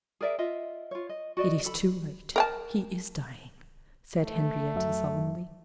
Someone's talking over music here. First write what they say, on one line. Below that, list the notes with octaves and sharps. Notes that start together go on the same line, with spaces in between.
"It is too late; he is dying!" said Henrietta, solemnly.
G#4 A#4 D5 E5
F4 D#5 E5
F4 C#5
D#5
F#4 D5 D#5
A4 B5
A#4 G5 A5
A3
F#2 F#3 E5